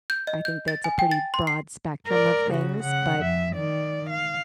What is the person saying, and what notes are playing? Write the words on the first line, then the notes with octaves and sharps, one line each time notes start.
I think that's a pretty broad spectrum of things, but
G6
D#5
G6
A6
G#5
G5
A6
C6
C7
A#4 D5
C#3 F#4
C#3 F#5
F2 E5
D#3 D5
F5